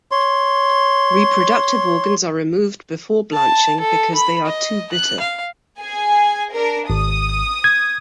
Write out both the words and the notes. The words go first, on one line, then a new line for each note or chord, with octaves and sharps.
Reproductive organs are removed before blanching because they are too bitter.
C#5 C6
A5
A4
B5
D#5
F#6
F5
G#4 G#5
D4 A#4
G#1 D#6
G#6